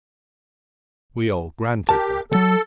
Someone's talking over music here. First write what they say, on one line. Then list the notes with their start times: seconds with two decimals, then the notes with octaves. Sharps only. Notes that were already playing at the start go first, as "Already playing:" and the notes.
We all granted that.
1.89 G4 A#4 A5
2.32 C#2 F#3 A4